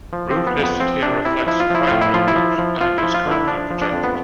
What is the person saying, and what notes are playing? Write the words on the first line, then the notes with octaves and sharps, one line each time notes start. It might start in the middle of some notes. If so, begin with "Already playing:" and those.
Route listed here reflects the primary route, and is currently projected.
F3
C4
F3
B3
F2
B3
F3 C4
C3 D4
C3 E4
F3 E4
F4
F3 E4
A2 F4
E4
F3 F4
E4
F3
F3
F3 F4
F3 E4
F4
D3
E4
F3 D4
F3
D4
F2
B3